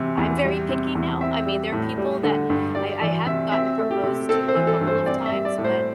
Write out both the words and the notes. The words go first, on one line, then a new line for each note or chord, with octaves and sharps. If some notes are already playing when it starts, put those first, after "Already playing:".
I'm very picky now. I mean, there are people that I I have gotten proposed to a couple of times, but
Already playing: C3 E3
E2
G3
C3
E2
C4 E5
G3
A2
G3
D3
G2
G3 D5
E3 D5
C3 E5
C4 E5
A3
G4
C3
C4 A4
C5
E3
A4
G2
C5
C4 D5
E5
G3
D5
A2
C5